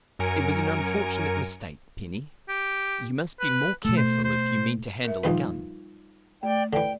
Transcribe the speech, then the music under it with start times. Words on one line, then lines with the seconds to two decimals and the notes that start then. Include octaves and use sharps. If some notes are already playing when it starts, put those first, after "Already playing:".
"It was an unfortunate mistake, Penny; you must be more careful if you mean to handle a gun."
0.19 F#2 A#4 G#5 C#7 D7
2.49 G4
3.40 B4
3.85 B2 A3 A4
3.97 C5
4.25 C5
5.05 A#4 E5
5.24 A#1 D#3 G3 D#4 F4 B4
6.43 A3 D5 G5
6.73 D3 E3 D5 G5